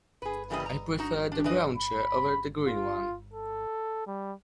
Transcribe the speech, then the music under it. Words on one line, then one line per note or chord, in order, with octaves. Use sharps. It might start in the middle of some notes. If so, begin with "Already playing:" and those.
I prefer the brown chair over the green one.
G#4 B4
C#3 E3 G3 A#3 B4 D#5
A#5
D#4 F#4
D4 G4
E3 D4 B4 D#5
B5
F4
A4
G3